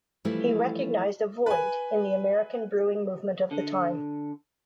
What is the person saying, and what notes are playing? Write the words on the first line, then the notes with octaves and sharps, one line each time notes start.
He recognized a void in the American Brewing movement of the time.
E3 F3 G3 A3 E4 E5
B4 G#5
D3